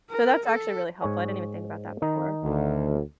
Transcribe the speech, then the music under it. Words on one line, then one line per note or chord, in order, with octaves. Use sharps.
So, that's actually really helpful, I didn't even think about that before.
A#4
A4
G#2 C#5 G#5
D#3 D#4
D2